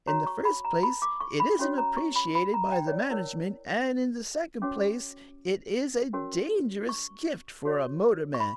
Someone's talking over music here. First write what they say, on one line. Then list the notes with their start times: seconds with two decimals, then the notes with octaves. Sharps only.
In the first place it isn't appreciated by the Management and in the second place it is a dangerous gift for a motor-man.
0.07 F#4 C#5 A#5
0.27 C#6
0.45 B5
0.65 A#5
0.83 B5
1.02 D6
1.20 C#6
1.40 B5
1.59 C#4 F#4 C#5
1.78 A#5
1.97 C#6
2.16 B5
2.35 B5
2.54 A#5
2.72 G5
2.87 C#5
2.92 D5
3.11 E4 A#4 C#5
4.62 C#4 F#4 C#5 D6
6.13 C#4 F#4 A#4 C#5
6.89 C#6
7.65 F#4 C#5
8.34 C#6
8.40 B5